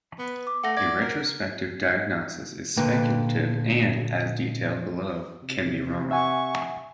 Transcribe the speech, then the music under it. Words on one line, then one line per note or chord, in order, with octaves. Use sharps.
A retrospective diagnosis is speculative and, as detailed below, can be wrong.
B3
D6
A3 F#5 A#6
D5 G#6
A#4
A#2 D3 A#3 B4 G5
C3
E5 F#5 G#5 C#6